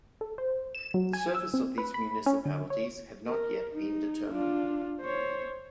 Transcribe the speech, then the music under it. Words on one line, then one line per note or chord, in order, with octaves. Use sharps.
The surface of these municipalities had not yet been determined.
A4
C5
E7
F#3
G#5
E6
C4
B4
B5
C#4
D3
C#5
A#4
D#4
D4 F4
C5 C#5